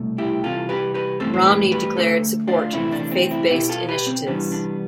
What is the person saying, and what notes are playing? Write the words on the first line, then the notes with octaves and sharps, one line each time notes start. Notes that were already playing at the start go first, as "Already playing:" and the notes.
Romney declared support for faith-based initiatives.
Already playing: C2 B2 A3
E4 G4
C2 C3 E3 F4 A4
G4 B4
G4 B4
G2 E3 A3 C4 A4 C5
C5
G4 B4
G4 B4
D2 D3 F3 A3 A4 C5
D4 F4
D2 C3 E3 A3 C4 E4
D4
C4
C4 E4
B2 B3 E4 G4
F4 A4
G4 B4
C4
C2 C3 E3 G3 B3 D4
D4